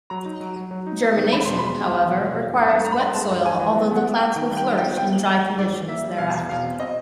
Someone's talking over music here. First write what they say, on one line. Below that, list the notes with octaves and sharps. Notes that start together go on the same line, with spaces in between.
Germination, however, requires wet soil although the plants will flourish in dry conditions thereafter.
F#3 A#5
D#4
F#3
F#3
F#3
D#4
B3
D#3
E2 B5
B2 C6
G#3 B5
E2
G#3
B2
B2
E2
G2
G2 A5
G2 A#5
B5
G2 C6
G#3 A5
G2
E3 G#5
E3
B3
B3 F#5
B3
G5
B3
D#3 G5
G3
G5
D#4
G5
B3
G3 G5
A#3
A#3
G3
G#2 D5
E3
A#3 E5
G3
B2 F5
E2
B2 F5
C4
C4 D#5